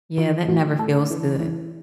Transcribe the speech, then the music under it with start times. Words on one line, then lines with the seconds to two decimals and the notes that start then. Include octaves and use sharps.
Yeah, that never feels good.
0.18 E3 F4
0.48 A2 F#4
0.79 A2 A4
1.10 E3
1.40 E3